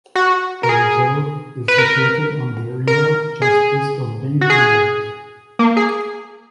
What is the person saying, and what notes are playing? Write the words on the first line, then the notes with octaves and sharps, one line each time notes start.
The Reserve is situated on the river just east of Byng Inlet.
F#4
A#4
G#4
B4
A#4
A#4
G#4
F#4
G#4
A#3
G#4